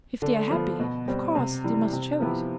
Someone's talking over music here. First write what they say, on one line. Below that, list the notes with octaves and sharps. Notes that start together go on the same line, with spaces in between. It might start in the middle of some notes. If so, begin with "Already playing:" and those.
If they are happy, of course they must show it.
D3
F3 B3
B2
G3 C4
C3
E3 G3
C3
F3 B3 E4 G4